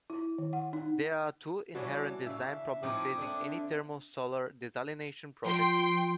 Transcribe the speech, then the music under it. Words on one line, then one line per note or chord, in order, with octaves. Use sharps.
There are two inherent design problems facing any thermal solar desalination project.
E4
D#3
F#5
D#4
E3 G3 C#4 D4 F#4 C#5 D#6
C#3 E5 F5
F3 C4 C#4 D#4 E4 G5 D6 D#6
D3 D4
F3 G5 C6